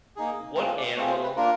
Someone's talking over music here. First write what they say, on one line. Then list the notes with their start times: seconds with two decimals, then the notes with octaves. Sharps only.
What animal,
0.16 A#3 D#4 G#4
0.56 A3 C4 F4 G#4 A#4
0.77 D5
0.96 A3 C4 F4 G#4 C#5
1.10 C5
1.23 B4
1.36 A#3 D4 F4 A#4